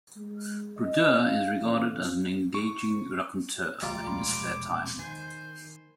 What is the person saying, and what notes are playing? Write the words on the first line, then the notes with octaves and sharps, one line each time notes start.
Brodeur is regarded as an engaging raconteur in his spare time.
G#3
D#5
F5
A1
C#6
D#1 C#2 F3 G3 A3 F4 A#5 D6
E1 A#1 G#3 B5 C6
D#3 C5 G#5